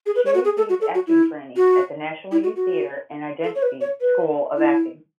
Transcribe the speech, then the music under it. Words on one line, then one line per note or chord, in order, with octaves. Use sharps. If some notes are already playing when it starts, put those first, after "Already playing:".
She received acting training at the National Youth Theatre and Identity School of Acting.
G#4
B4
C#5
F#4
G#4
A4
F#4
A4
F#4
E4
F#4
E4
F#4
F#4
A4
C#5
B4
C#5
B4
E4